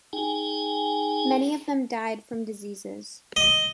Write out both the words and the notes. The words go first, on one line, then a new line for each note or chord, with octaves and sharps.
Many of them died from diseases.
D#4 G#4 G5 G#5
D#5